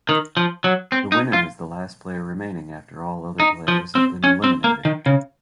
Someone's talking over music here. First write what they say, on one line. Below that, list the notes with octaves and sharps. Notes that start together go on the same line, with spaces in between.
The winner is the last player remaining after all other players have been eliminated.
D#3
F3
F#3
C4
D#4
F4
D#4
F3
C4
C#4
C4
A#3
D#3
C#3